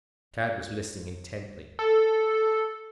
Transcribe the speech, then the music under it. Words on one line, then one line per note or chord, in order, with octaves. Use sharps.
Tad was listening intently.
A4